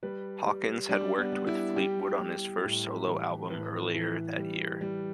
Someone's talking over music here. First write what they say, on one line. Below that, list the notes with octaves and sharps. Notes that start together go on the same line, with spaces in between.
Hawkins had worked with Fleetwood on his first solo album earlier that year.
G3 B4
G3
G3 D4
B3
G3
E4
G3 G4
G3
A2
E3
A2 B4
E3
G3
G3